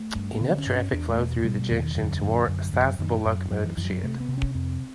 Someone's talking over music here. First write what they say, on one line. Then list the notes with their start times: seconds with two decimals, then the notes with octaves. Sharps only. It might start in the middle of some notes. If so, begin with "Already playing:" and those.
Enough traffic flowed through the junction to warrant a size-able locomotive shed.
Already playing: A3
0.15 G2
0.36 A#3
0.41 D3 B3
0.58 C#4
0.66 G2
0.75 C#4
0.92 E2 D4
1.10 A3
1.19 B2
1.45 B2 G3
1.61 G3
1.70 E2 D3
1.79 D#3
1.96 F#2 D3
2.22 F#2
2.48 F#2
2.73 F#2
2.99 F#2 D#3
3.25 F#2
3.51 F#2 F#3
3.64 E3
3.77 F#2 E3
3.85 F3
3.90 F#3
4.03 C3 A3
4.20 B3
4.28 C3
4.38 C#4
4.55 F2 C4